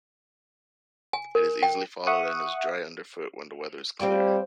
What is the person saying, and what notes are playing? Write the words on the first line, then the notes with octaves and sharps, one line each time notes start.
It is easily followed, and is dry underfoot when the weather is clear.
G#5
A#4
G5
E5 F#5 C#6 D#6 F#6
G3 C4 F4 G4